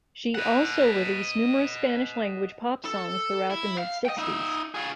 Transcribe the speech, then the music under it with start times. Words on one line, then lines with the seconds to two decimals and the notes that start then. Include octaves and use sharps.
She also released numerous Spanish-language pop songs throughout the mid-sixties.
0.35 D#5 F#5
2.85 A4
3.50 E4
3.78 F5
4.05 D#5 G5
4.18 D#4 E5
4.74 F4 G#4